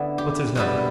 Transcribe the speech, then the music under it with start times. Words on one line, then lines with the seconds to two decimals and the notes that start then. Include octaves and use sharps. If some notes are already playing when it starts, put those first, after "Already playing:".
What's his number?
Already playing: D3 B3 E4
0.18 G4
0.56 B2 G3 E4 B4